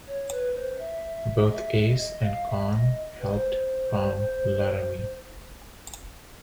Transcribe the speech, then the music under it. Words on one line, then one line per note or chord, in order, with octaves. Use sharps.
Both Ace and Con helped found Laramie.
C#5
B4
C5
E5
D#5
E5
E5
D#5
F5
E5
D#5
B4
C5